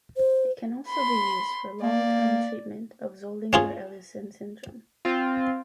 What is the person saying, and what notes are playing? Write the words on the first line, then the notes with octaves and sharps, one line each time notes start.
It can also be used for long-term treatment of Zollinger-Ellison syndrome.
C5
B5 C6
A#3 D5
C#4 F4 G#4
C4 F4